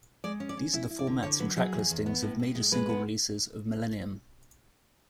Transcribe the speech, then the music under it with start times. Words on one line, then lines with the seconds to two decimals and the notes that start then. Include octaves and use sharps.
These are the formats and track listings of major single releases of "Millennium".
0.24 G#3 D5
0.40 C#4
0.49 D5
0.57 C#4
0.73 E4 E5
0.90 E4
0.99 D5
1.07 D3
1.23 D3 C#5
1.39 F#3 B4
1.56 F#3 G#4
1.73 E2
1.90 E2
2.06 B3
2.22 A2
2.40 A2
2.55 G#3
2.72 G#3 B4
2.89 B3